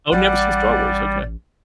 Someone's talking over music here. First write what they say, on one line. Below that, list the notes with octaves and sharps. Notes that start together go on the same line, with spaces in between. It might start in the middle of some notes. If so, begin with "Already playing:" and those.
Oh, never seen Star Wars, okay.
A1 G3 D5 F#5